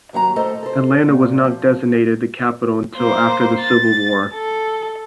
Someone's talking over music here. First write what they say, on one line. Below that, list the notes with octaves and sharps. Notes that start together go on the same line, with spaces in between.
Atlanta was not designated the capital until after the Civil War.
D#2 F#3 F#5 A#5
A2 A4 C5 D#5 A5
A4 C5
A#2
F3
A#3 C5
A6
A4